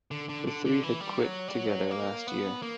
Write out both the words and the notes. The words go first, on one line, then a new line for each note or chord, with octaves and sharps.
The three had quit together last year.
D3
D3
D3
D3
E3
G3
F#3
G3
F#3
A#3
B3
A#3